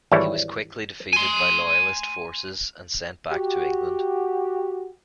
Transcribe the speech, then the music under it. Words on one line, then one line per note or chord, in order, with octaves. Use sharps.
He was quickly defeated by loyalist forces, and sent back to England.
G#1 E3 G3 E4 C#5
G#5 C6
F#4 G4